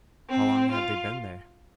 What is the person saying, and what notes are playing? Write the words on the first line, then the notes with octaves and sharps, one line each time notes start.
"How long have they been there?"
C4
F4